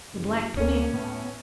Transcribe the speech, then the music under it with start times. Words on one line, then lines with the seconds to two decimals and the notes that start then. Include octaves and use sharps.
The Black Police.
0.14 F#1
0.57 D2 A#3 C#4
0.93 A2 B3